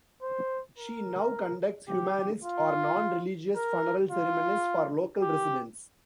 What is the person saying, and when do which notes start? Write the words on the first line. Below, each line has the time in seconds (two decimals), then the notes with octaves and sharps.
She now conducts humanist or non-religious funeral ceremonies for local residents.
0.22 C5
0.78 A#4
1.89 G4
2.44 F4
3.56 A#4
4.11 F4
5.22 G4